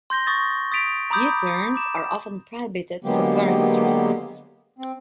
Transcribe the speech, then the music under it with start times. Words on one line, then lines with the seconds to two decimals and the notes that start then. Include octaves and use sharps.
U-turns are often prohibited for various reasons.
0.10 C6 G6 A#6 G7
0.26 C6 C#6 D#6 A6 A#6
0.72 D#6 A6 B6 D7 F7
1.10 A#5 B5 D6 D#6 G6
1.74 B5 D6 E7
3.04 D3 F#3 G#3 A#3 B3 G4
4.79 C4